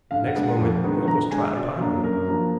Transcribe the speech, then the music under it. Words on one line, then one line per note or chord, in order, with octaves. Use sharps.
The next moment he almost trod upon me.
D3 F5
F#5
G#3 B3 D4
F#5
F2
D#3 G#3 B3 D4
D3 A#5
G#3 D4 G#5
B2 D5
F#3 A#3 D4
F#2 A#4
F3 A#3 D4